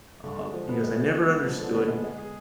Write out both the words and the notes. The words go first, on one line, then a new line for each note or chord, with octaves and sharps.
um, he goes, "I never understood
D3
G#3
F3
B3
G#3
G#3
G#3
B3
F3
D3
B3
G#3
G#3
G#4